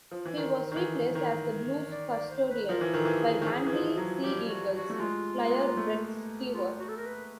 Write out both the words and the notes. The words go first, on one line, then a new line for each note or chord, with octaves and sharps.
He was replaced as the Blues custodian by Manly Sea Eagles flyer Brett Stewart.
F3
E3
D#3
D#3
E3
D#3
D5
D5
C5
B4
F3 A#4
E3
D#3 A4
E3
G4
G#4
D#3
E3 G#4
E3
F3
F#3
G3 G4
F#4
F#4
A3 F#4
G#3 F4
A#3
B3
A#3
A3
F4
F#4
A4
A#4
B4